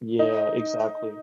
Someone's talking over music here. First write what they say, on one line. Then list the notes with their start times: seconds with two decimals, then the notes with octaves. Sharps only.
Yeah, exactly.
0.19 D#4